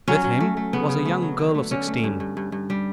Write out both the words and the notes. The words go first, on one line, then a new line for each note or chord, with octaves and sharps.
With him was a young girl of sixteen.
F#3 C#4
F#3
A3
A3
C#3 B3
C#3
A3
F#3
D3
A3
D3 C#4
A3
G2
G2
G2
G2
G3